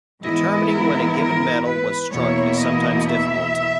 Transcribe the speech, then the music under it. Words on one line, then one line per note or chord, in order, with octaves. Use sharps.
Determining when a given medal was struck is sometimes difficult.
G#2 E3 B3 E4 D#5
A#4
A#4
B4
E2 B2 A#3 E4 C#5
D#5
E5